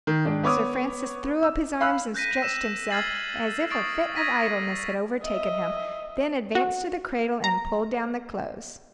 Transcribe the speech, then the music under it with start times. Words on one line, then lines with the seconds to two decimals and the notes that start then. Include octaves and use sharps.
Sir Francis threw up his arms and stretched himself, as if a fit of idleness had overtaken him; then advanced to the cradle and pulled down the clothes.
0.07 D#3
0.25 G#2 D#3 D4
0.43 B3 C#5 D6 D#6
1.43 E6
1.80 F5 B5 E6 F#6
2.15 F#6 G6 A#6 B6 D#7
2.42 E6 E7
2.91 E6 F6 G#6 A6 C7 F#7
3.71 C#6 D#6 A6 C7 D7
4.16 D#6 G#6 A#6 B6 D#7
5.23 D#5 E5
6.55 F#4
7.44 A#5